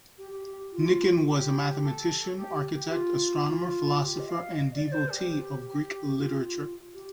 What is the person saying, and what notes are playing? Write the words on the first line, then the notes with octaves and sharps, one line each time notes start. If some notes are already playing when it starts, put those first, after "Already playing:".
Nicon was a mathematician, architect, astronomer, philosopher, and devotee of Greek literature.
G4
G4
G4
F4
G4
A4
G4
G4
F4
F4
G4
D#5
F5
D#5
D5
C5
G4
G4
G4
F4
G4